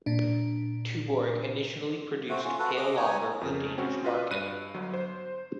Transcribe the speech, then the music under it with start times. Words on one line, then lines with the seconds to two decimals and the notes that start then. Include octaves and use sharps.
Tuborg initially produced pale lager for the Danish market.
0.06 A#2 D4
2.29 A3 C4 F#4
2.44 C#4 F4
2.59 F#4 A4 B4
2.77 D#5 D6
2.97 B3 D#4 C#5 G#5
3.41 F2 C#3
3.78 C4 C#4 F#4
4.04 F4 F#4 B4 D#5 F5
4.31 G2 F#6 D#7
4.74 G1 F#3
4.93 C5